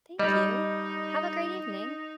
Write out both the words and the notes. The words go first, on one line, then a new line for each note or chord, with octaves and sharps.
Thank you. Have a great evening.
G3 D#4 D#5